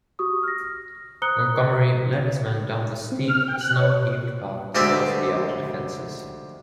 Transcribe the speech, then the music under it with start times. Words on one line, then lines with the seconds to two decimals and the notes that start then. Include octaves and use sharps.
Montgomery led his men down the steep, snow-heaped path towards the outer defenses.
0.19 F#4 G4 C#6 D#6
0.43 F6 A#6
1.22 C5 A#5 D#6 F#6 C#7 G7
3.12 C4
3.28 F6
3.48 G5
3.61 F#6
3.76 C#5
4.75 D2 G#3 C4 G4 D5 E5